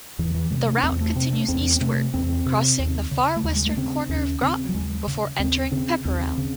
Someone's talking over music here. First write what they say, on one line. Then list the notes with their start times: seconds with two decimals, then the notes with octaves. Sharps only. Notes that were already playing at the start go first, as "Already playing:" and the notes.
The route continues eastward, crossing the far western corner of Groton before entering Pepperell.
0.19 E2 E3
0.34 E3
0.51 C3 G#3
0.61 G#3
0.68 A3
0.77 C#4
0.83 E2 C4
1.01 A3
1.16 C3 C4
1.33 A3
1.48 E2 C4
1.76 C4
1.81 C3 A3
2.14 E2 C4
2.46 C3
2.79 D#2
3.11 C#3
3.36 A3
3.44 D#2 G#3
3.56 G#3
3.66 A3
3.77 C#3 C4
4.09 D#2 C#4
4.42 C#3 C4
4.69 F#3
4.74 D#2 G#3
5.07 C#3
5.39 D#2 C4
5.72 C#3 C4
6.05 D#2 C4
6.38 C#3